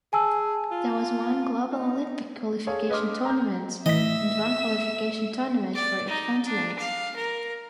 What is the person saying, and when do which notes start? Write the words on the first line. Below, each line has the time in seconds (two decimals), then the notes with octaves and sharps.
There was one global Olympic Qualification Tournament and one qualification tournament for each continent.
0.13 G#4 G#5 A5 E6
0.71 F4
1.72 D#4
2.67 G#4 A4 C#5 F5
2.90 B4 D#5 C6 D6 F6
3.25 A#5 G6
3.86 A2 E3 D#4 D#5 E5 E6 B6
5.75 D5
6.08 D#4
6.46 D4
6.79 F5
7.16 A#4